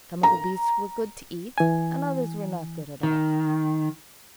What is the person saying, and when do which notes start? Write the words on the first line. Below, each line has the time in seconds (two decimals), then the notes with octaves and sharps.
Some of the beasts were good to eat and others were not good at all.
0.23 A#5
1.58 E3 G#5
3.03 D#3